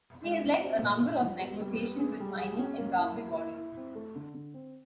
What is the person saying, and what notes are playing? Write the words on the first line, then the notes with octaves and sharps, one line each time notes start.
He has led a number of negotiations with mining and government bodies.
G#3
C4
C4
A#2
A#2
F3
B3
G3
B3
G#4
G3
G#4
C#4
A#3
E4
A#3
E4
E4
C4
A3
D3
D3
C4